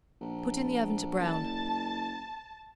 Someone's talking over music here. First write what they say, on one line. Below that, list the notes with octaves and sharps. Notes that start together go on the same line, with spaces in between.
Put in the oven to brown.
A#1
F#1 A5